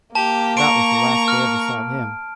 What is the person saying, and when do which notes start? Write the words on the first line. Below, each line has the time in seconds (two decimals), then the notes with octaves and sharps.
That was the last they ever saw of him.
0.15 A#3 G4 A5
0.57 A#5 C#6 D7
1.28 F6